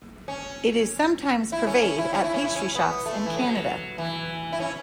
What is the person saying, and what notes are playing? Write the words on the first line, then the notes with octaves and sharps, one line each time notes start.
It is sometimes purveyed at pastry shops in Canada.
C#4
E4
C#4
C#4
E4
C#4
E4
C#4
E4
C#4
B3
A3
E3
F#3
E3
E4
C#4